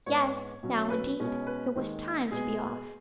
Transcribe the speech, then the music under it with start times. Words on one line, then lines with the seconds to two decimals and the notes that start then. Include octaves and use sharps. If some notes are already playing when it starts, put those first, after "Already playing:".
Yes, now indeed, it was time to be off.
0.06 G#2 G#3 B3 C#5
0.63 B2 F#3 C#4
0.90 B4
1.19 B2 G#3 C#4
1.47 B4
1.75 D#2 D#3 G#3
2.31 B2 G#3 B3 G#4